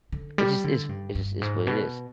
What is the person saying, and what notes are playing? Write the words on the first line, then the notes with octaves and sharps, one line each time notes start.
it's just it's it just what it is.
D3
G3
D3
G2
G2
G#2
B2